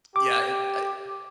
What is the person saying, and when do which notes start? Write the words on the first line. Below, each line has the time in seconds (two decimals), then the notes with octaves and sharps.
Yeah, it I uh,
0.16 G4 D6